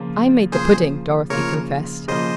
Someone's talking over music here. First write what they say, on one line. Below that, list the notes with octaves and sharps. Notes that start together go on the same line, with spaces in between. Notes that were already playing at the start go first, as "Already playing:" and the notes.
"I made the pudding," Dorothy confessed.
Already playing: C#3 F3 A#3 F4
C#3 F3 A#3 F4 G#4 C5
C#3 F3 A#3 F4 A#4 C#5
C#3 F3 A#3 F4 C5 D#5